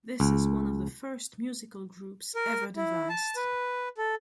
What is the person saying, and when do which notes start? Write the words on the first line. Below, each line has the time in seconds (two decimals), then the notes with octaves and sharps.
This is one of the first musical groups ever devised.
0.20 C#2
2.35 A#4
2.76 E4
3.09 A5
3.36 B4
3.97 A4